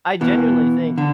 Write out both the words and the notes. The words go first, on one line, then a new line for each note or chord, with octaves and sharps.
I genuinely think
B2 E3
D3